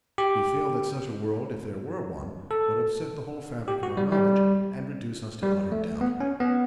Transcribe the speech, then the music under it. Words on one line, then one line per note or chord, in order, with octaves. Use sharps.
We feel that such a world, if there were one, would upset the whole fabric of our knowledge and reduce us to utter doubt.
G4
A4
G4
F#4
G3
G3
G3
A3
B3
C#4
B3